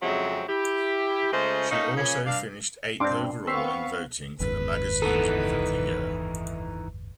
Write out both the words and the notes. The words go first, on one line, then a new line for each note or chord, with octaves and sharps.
She also finished eighth overall in voting for the magazine's Woman of the Year.
F2 C#3 F#3 G#3 C4 E5
E4 G4
C#3 G#3 A3 F4 C5
A3 A#3 C#4 D#4
C#3 F3 A#3 C#4
G2 D4 D5 F5
G2 C4 D4 C6 D6
B3 C4 F5 C#6 E6 B6 C7
F#1 D#2 G#2 B4
E3 B3 D#4 A4